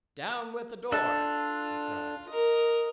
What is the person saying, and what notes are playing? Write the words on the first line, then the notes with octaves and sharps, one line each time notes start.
"Down with the door!" he cried.
D4 F4 A4
A#4 D#5